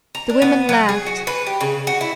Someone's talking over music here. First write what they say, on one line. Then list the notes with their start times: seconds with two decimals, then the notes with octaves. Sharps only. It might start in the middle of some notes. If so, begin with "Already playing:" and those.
The women laughed.
0.15 A#5
0.30 D4
0.42 B3
0.69 F#3
0.89 G#4
1.06 F#4
1.27 B4
1.46 G4
1.60 C#3
1.87 F#4
2.01 E4